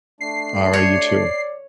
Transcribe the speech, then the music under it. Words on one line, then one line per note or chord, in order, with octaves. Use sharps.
Alright, you, too.
A3 D4 C7
C#5 D5